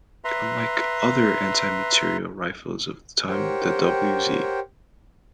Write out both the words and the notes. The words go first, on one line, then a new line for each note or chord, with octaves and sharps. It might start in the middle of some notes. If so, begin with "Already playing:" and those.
Unlike other anti-materiel rifles of the time, the wz.
B4 E5 A#5 C6
G4 A#4 C5 C#5 F#5 G5